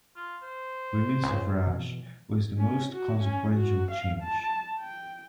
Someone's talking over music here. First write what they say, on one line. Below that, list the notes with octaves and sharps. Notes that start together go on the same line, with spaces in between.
Women's suffrage was the most consequential change.
F4
C5
C#2
B2 E3
C#4
F#4
C#4
F#4
F5
A5
G5